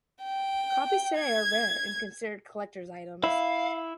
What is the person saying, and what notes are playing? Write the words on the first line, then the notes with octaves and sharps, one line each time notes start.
Copies today are rare and considered collector's items.
G5
G#6
E4 F5